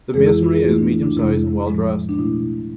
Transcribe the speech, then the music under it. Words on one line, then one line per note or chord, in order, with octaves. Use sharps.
The masonry is medium-size, and well-dressed.
F2 E3 G#3 G#4
E4
F4
G#4
G#2 E3 A3 E4
D4
E4
D4
F2 C3 G#3 E4
A2 F3 G#3
D4
B2 A3 E4